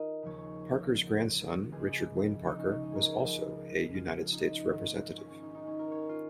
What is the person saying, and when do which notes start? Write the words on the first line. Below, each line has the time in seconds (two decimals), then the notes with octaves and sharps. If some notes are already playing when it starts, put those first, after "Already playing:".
Parker's grandson, Richard Wayne Parker, was also a United States Representative.
Already playing: D#3 D#4 F4 A#4 D#5
0.22 D#2 C#3 F3 C#5
1.72 C#2 C#3 F3 G#4
2.47 D#4
2.59 C#4
2.71 D#4
2.83 D#5
2.92 G#4 A#4
3.08 G#4
3.20 C#2 C#3 F3
3.94 F4
4.32 D#4
4.68 G#2 D#3
5.18 C#4
5.30 C#4
5.43 D#4
5.55 D#4
5.67 C#4
5.79 A#4
5.92 C#5
6.09 F4